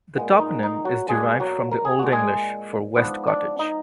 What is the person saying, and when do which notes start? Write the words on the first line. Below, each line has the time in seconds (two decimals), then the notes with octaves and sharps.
The toponym is derived from the Old English for "west cottage".
0.15 A#2 G#3 B3
0.39 D#4
0.63 D#4
0.85 F#3 F#4
1.09 B2 G#3 A#3 D4 G#4
1.40 F#3 F#4
1.71 A#4
1.85 G#4
1.99 A#2 G#3 D4 F#4
2.12 G#3 G#4
2.96 G#2 F3 B3 D4 B4
3.27 D4 D5
3.59 D#4 D#5